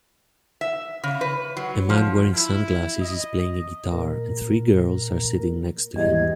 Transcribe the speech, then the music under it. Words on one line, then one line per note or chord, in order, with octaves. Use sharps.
A man wearing sunglasses is playing a guitar, and three girls are sitting next to him.
E5
C#3
B4
F#3
F3
E4
D#5
A#2 A#4
E2 G#2 G3 G4 D#5 G#6